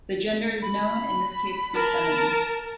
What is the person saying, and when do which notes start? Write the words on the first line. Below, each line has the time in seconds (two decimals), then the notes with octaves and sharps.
The gender is known in this case to be feminine.
0.62 B5
1.74 A#4 A5